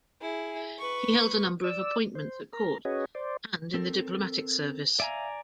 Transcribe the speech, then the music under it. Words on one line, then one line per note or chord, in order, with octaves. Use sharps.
He held a number of appointments at court and in the diplomatic service.
E4 G#4
B4 C#6
D5 E6
C5
A#4 A#5
C#4 F#4 G#4 B4 C#5 D#5
C5 D5
C4 A4 A#4
D5 E5 F5 G#5 A#5